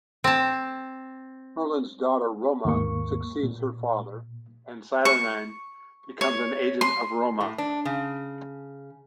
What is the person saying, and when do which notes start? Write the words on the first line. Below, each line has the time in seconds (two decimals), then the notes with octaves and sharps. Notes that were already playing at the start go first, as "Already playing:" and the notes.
Merlyn's daughter Roma succeeds her father, and Saturnyne becomes an agent of Roma.
0.24 C4 A5
2.65 D#2 G#2 A#3 C#6
3.43 A#2
5.05 C#6
6.21 C#5
6.81 C6
7.41 A2
7.58 D4
7.85 C#3